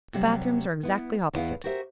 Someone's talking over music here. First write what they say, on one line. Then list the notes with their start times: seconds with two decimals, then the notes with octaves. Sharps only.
"The bathrooms are exactly opposite."
0.14 C3 F#3 G3
0.83 B3 E4
1.33 E2 E3 B3 E4 F5
1.64 F#4 G4 A#4 C5 E5